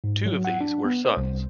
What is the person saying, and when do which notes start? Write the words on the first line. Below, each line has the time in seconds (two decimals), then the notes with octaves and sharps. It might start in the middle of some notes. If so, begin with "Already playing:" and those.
Two of these were sons.
0.04 G#2
0.26 F#3
0.45 F#5
0.61 D4
0.85 B3
1.05 C5
1.17 C2